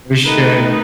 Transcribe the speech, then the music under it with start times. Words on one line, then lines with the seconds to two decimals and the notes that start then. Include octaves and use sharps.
for sure.
0.23 D#3 A3 D#4 B4